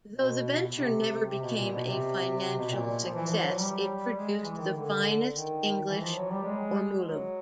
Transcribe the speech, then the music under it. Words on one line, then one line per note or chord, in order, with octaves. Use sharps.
Though the venture never became a financial success, it produced the finest English ormolu.
B2
C3
C3
B2
A#2
B2
C3
C3
B2
A#2
F3
E3
F3
F#3
G3
G#3
E3
D#3
D3
D#3
E3
F3
F#3
G3
G#3
F#3